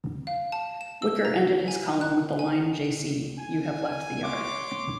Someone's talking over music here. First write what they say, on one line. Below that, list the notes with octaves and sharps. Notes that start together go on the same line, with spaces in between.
Whicker ended his column with the line Jaycee, you have left the yard.
F5
A5
E7
E6
A#5
G#5
F#6
G#5
G#5
C#5 C6 D6